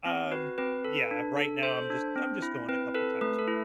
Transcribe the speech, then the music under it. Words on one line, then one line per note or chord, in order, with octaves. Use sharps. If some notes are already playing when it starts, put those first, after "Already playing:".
um, yeah, right now, I'm just I'm just going a couple times a week.
C4
F#4 B4
C4 B4
A4
D4
A4
A4 C5
D4
C4
E4
C4 B4
A4 B4
A3 B4
A4
E4